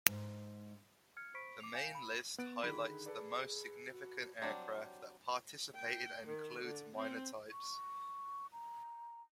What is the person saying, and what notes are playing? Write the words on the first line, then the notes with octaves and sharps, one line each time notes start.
The main list highlights the most significant aircraft that participated and includes minor types.
G#2
F6 G#6 C#7
C5 B5 C#6 B6 D7
D6 F7
F5 G#5 G6 C#7 E7 F7
B5
B3 F#6 A6 D7
D3 D#3 G#4 B5
A4 B4 D5
F#4
F#3 G3 C4 D4
G5
D#3
D3
C4
C#6
A#5